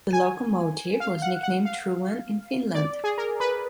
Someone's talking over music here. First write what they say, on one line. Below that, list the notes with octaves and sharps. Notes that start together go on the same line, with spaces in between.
The locomotive was nicknamed "Truman" in Finland.
G#5
F5
F#5
F#5
F5
D5
G#4
A#4
B4